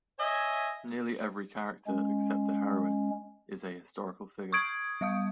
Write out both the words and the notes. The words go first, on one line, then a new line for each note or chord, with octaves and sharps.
Nearly every character - except the heroine - is a historical figure.
C#5 D#5 E5 G#5
G#3 C#4
C#6 D#6 G#6 D7
G3 F5 D#6